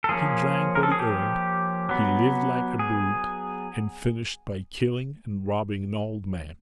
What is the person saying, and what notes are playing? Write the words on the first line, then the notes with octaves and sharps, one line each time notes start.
He drank what he earned, he lived like a brute, and finished by killing and robbing an old man.
A4
F3 A#3 C#4 G#4
A#4
A4
G#4
G4
F#3 B3
G#4